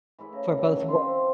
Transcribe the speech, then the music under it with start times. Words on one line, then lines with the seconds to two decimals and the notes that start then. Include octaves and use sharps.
for both work
0.18 E3 A3 E4 G#4
0.33 C#3 A#4
0.57 F#2 A2 A4
0.73 A#4 G#5
0.88 E4 F4 B4 C6
1.02 C4